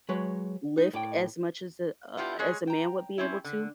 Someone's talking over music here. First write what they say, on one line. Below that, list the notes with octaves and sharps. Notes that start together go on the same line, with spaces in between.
lift as much as a a as a man would be able to,
F#3 G#3 B4 C#5
D#4
A2 D5 G5
B3 D4 E4 F4 G4
G#3 G#4 C#5
G5 A#5
C4 C#4 E4
D3